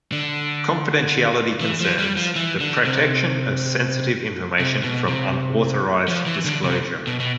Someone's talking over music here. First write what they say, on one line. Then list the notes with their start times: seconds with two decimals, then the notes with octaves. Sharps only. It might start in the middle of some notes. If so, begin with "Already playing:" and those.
Confidentiality concerns the protection of sensitive information from unauthorised disclosure.
0.12 D3
1.61 E3
1.80 F3
1.98 G3
2.17 F3
2.36 E3
2.60 D3
2.85 C3
4.60 C3
4.84 B2
5.08 C3
6.08 F3
6.26 E3
6.45 D3
6.64 C3
7.07 B2
7.20 B2